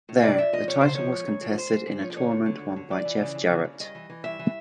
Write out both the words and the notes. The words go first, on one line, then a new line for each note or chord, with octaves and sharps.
There, the title was contested in a tournament won by Jeff Jarrett.
A2
C3 D5
F2 E5
F3 D#5
C3 C#5
C3 C5
F3 C#5
G#2
G#2
F3
G#2 C5
G#2
G#2
F3 C#5
D5
D3 C#5
D2
D3
D2
D3
F2 D5
E3
C#3
F2
C#3
C#3
G2 D#5
E3
E3
G2 E5
E3